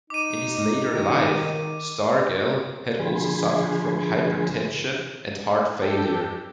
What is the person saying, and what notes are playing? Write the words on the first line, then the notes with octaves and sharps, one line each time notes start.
In his later life, Stargell had also suffered from hypertension and heart failure.
D#4 D6 D#7
D#3
D3 F3 G#4 G#5 B5 C6
G4 A4